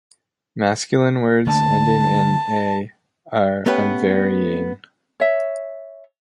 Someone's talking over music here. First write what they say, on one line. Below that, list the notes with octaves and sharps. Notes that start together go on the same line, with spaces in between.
Masculine words ending in "-a" are unvarying.
D3 A3 A#3 A5
A3 B3 C#4 G4 B4
C#5 E5